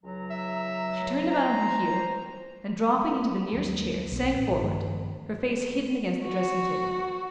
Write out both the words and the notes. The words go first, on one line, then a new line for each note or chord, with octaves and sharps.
She turned about on her heel and, dropping into the nearest chair, sank forward, her face hidden against the dressing-table.
C#2 F#3 A#5
E5
C5 A#5
D#2 F#3 G#3 A#3
B1 G3 C4
A1
G2 D#3 F3 A3
F#4